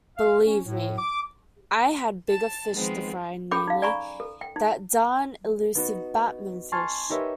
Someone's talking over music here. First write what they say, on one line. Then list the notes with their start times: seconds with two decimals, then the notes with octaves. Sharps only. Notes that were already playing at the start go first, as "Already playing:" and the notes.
Believe me, I had bigger fish to fry, namely, that darn elusive Batmanfish.
0.18 F5
0.46 C#4
0.65 A2
0.98 D6
2.31 A5
2.74 D#3 F3 G#3 B3 C4
3.51 C#4 G#4 A4 G5 B5 D6
3.67 D#4 F5
3.82 D5 G#5 A#5 B5 C#6
4.20 A4
4.41 G5
4.56 D#4
5.75 B3 D#4 F#4
6.72 G#5 A5 C6 C#6 F6 G#6
7.10 D#4 G4 A#4 B4 C#5 E5